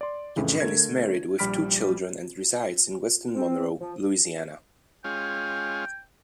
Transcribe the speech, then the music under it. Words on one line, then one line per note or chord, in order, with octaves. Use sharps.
DeJean is married with two children and resides in West Monroe, Louisiana.
D5 C6
F2 A2 C#3 E3
D3 A3 A#4 G#6
A#1 G3 B5 F6 B6 D7
C4
F3
G#3 C#4 F4 G5